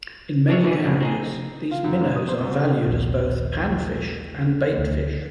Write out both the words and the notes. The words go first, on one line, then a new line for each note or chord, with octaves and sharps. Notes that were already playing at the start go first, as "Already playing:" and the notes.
In many areas these minnows are valued as both panfish and baitfish.
G3 G#3 D4 G#4 C#5 E5
B2 D3 E3 G#4
A#1 F#2 A2 C#3
C4 D#4 G#4
F4
F#2
G#2
D#6
C5
C2
A#1 D#2
D2